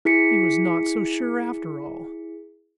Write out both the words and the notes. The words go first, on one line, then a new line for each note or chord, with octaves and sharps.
He was not so sure, after all.
E4 G#4 B6 C#7